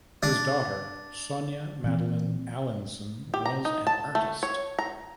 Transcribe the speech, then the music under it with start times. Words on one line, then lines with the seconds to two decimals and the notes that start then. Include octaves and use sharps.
His daughter Sonya Madeleine Allinson was an artist.
0.23 D4
1.84 A#2 E3 C4
3.34 G4
3.46 A#5
3.65 D#4
3.87 A5
4.15 A3
4.43 C#5
4.79 A#5